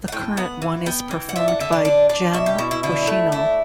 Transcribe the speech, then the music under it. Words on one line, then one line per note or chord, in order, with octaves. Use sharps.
The current one is performed by Gen Hoshino.
F#5
A2 G5
B3 F#5
E3
B3 G5
E3
F#5
D4 E5
F#5
D3 E5
D5
D4 D5
D4 D5
B2 E5
G4
B2 E4
E4
D3 E4
A3
D4 E4